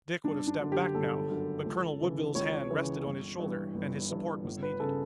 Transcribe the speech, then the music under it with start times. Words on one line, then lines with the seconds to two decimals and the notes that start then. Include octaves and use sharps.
Dick would have stepped back now, but Colonel Woodville's hand rested on his shoulder and his support was needed.
0.24 G1 D4
0.47 D4
0.60 F#2 D3
0.72 G4
0.95 G1 A4
1.30 F#2 D3
1.66 C#2
2.00 C#3 E3
2.35 C#2 C#5
2.71 C#3 E3
3.06 G1
3.40 G2 E3
3.75 G1
4.10 G2 E3
4.45 G1
4.62 B4
4.80 C#3 A4